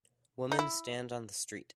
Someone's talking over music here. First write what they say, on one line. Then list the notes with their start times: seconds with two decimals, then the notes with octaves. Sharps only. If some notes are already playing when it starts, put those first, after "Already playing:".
Women stand on the street.
0.52 D#4
0.59 E4